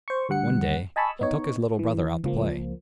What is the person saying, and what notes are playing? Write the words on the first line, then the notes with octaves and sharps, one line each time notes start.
One day, he took his little brother out to play.
C5 C#6
D2 G2 F#5 C#7
D#5 G#5 A5 B5 C#6 E6
B3 D#4 C#5
E3
C#2 F3 A#3